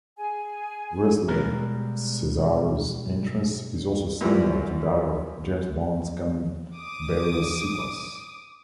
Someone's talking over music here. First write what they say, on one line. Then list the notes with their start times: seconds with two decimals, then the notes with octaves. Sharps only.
Wrestler "Cesaro"'s entrance is also similar to that of James Bond gun barrel sequence.
0.17 G#4 G#5
1.28 B2 G3 G#3 B4 F5 A#5
4.21 F#2 E3 F3 G3
6.76 D6 D#6